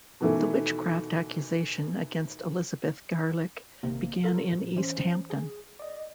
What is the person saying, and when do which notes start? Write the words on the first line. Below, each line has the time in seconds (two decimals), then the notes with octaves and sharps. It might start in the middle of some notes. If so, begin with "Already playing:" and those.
The witchcraft accusation against Elizabeth Garlick began in East Hampton.
0.20 B2 D#3 E3 A3
3.83 G#1 C3 A#3
4.24 F4 A4 A#4
4.49 A2 F3
4.76 E3 C#4 C5
5.30 G#4
5.79 D5 D#5